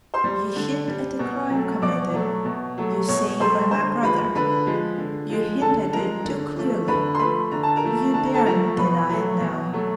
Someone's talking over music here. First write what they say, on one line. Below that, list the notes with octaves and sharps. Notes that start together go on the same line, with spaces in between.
You hint at a crime committed, you say, by my brother. You hint at it too clearly; you daren't deny it now.
C5 C6
G3
D3
G3
B2
F#3 A3
B2 D5 D6
F#3 A3
B2
F#3 A3
B2 C#5 C#6
F#3 A3 C5 C6
D3 C5 C6
F3 G#3 B4 B5
D3 B4 B5
F3 G#3
D3
F3 G#3
D3 A4 A5
F3 G#3 A#4 A#5
D3
F3 A3
D3 B4 B5
C6
F3 A3 B4 B5
D3 A#5
A5
A#4 A#5
F3 A3
D3 A5
A#5
A4 A5
F3 A3 A#4 A#5
B2 B4 B5
F#3 A3
B2
F#3 A3